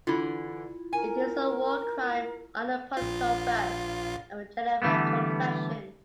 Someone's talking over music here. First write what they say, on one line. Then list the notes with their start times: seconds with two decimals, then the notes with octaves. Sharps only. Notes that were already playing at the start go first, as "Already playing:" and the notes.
It is a war crime under Protocol I of the Geneva Convention.
0.07 D3 E3 E4 F4
0.93 A#4 G#5
2.97 A#1 F4
4.82 D3 E3 G3 A3 B3